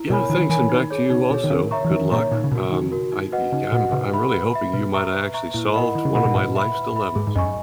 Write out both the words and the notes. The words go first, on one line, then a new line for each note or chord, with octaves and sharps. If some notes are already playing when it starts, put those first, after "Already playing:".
Yeah, thanks, and back to you also, good luck, um, I ye I'm I'm really hoping you might o' actually solved one of my life's dilemmas.
Already playing: E4
B2 A#4 C#5 G#5 B5
D#3 E4
D#3
E3 A#4 C#5 G#5 B5
D#4
G#4 C#5
C#3 D#4
B2 G#4 C#5
D#3
C#3 A#4
C#5 E5 A#5 C#6
E3
D#3 A#4
A#2 C#5 E5 A#5 C#6
A#2 D#4
C#3
B2 F#4 A#4
D#3 D#4
F#4 A#4
D#4
F#4 B4 D#5 F#5
C#3 D#4
A#2 F#4 B4 D#5 F#5
C#3 B4
E5 B5
B4
E5 B5
B2 B4
E5 A#5 C#6
B4
E5 A#5 C#6
A#2 E4
A#4 D#5 F#5 B5
D#3 E4
C#3
B2 A#4 D#5 F#5 B5
A#2
G#2 B4
E5 B5
B4
E5 B5
G#2 G#4
G#2
F#2 D#5 G#5 C#6